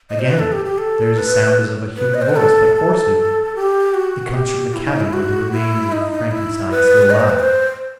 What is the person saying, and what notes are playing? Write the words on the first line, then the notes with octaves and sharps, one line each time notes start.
Again there is a sound as of a human voice, but hoarser; it comes from the cabin where the remains of Frankenstein still lie.
D#5
C5
B4
A4
G4
G4
A4
B4
B4
D#5
C5
B4
A4
A4
G4
F#4
G4
E4
D#4
E4
F#4
E4
D#4
D#4
E4
B4
D#5
C5
B4
C5